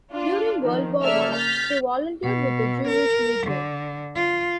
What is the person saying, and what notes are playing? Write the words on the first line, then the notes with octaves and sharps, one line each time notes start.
During World War One, he volunteered with the Jewish Legion.
D4 F4
D#3 F3
C#3 A#3 A4 D5 E5 F6
F6 G6 A6 B6
B2
A#4
D3
F4